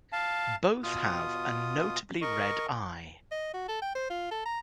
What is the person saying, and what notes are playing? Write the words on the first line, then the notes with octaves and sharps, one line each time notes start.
Both have a notably red eye.
F5 A5
B2 F4 D#6
A#4 D#5 C#6
D#5
F#4
A4
G5
C5
F4
A4
A#5